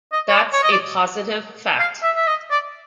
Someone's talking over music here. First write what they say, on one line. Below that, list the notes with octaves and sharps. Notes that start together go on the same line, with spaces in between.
That's a positive fact.
D#5
C#5
D5
C#5
D#5
D5
F5
E5
E5
D#5
D5